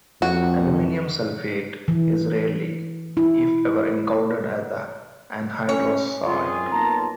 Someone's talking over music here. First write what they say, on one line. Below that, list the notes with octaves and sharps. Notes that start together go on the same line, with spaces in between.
Aluminium sulfate is rarely, if ever, encountered as the anhydrous salt.
F2 F#4
E3
E4
C#4 C#5
F#2 C4 F4 G#4
B1 A#3 A5 A#5